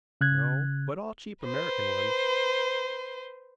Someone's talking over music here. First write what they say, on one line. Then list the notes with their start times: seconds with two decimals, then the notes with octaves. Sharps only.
"No, but all cheap American ones."
0.21 C#3 F#6 G#6
1.45 B4 C5